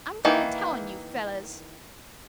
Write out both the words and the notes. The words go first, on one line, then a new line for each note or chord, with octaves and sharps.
"I'm going to tell on you fellows!"
D#3 E3 A#3